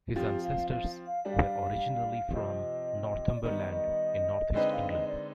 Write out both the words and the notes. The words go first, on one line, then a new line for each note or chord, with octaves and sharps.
His ancestors were originally from Northumberland in North East England.
F3 C4 F4 G4
F5
F5
F5
G3 D4 G4
F5
C3 F3 C4 D#5
D5
D#3 G3 B3 D#5
D#5
D3 G#3 C4 D#4 B4 D#5
F5
D#5
D5